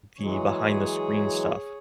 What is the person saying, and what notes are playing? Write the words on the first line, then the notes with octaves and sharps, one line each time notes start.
the behind the screen stuff.
E3 F#3 G#3 G#4 C#5